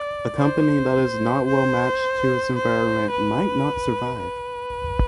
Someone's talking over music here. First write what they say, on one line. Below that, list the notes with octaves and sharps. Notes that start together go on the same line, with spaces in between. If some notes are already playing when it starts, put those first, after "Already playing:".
A company that is not well matched to its environment might not survive.
Already playing: D5
C5
C5
C5
B4
B4